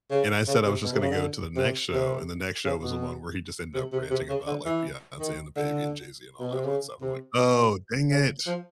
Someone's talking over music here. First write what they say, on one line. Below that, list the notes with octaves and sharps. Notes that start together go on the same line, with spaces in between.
and I said I was just gonna go to the next show, and the next show was the one where he just ended up ranting about, like, Beyoncé and DaBaby and Jay-Z and all that fun stuff. I'm like, "Oh, dang it."
C#3
C#3
C3
B2
C3
C#3
D3
C3
C3
C#3
B2
C3
C3
C3
C#3
D3
E3
D#3
D3
B2
C3
C#3
C3
B2
C#3
F3